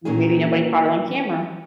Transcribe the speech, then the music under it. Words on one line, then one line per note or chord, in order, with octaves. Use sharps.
Maybe nobody caught it on camera.
A#2 D#3 A#3 C#4 F#4 G#4